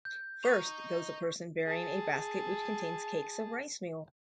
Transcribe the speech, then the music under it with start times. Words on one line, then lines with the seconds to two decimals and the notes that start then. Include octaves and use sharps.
First goes a person bearing a basket which contains cakes of rice-meal.
0.05 G6
0.44 D#5 A#5 C#6
1.66 G#4 A5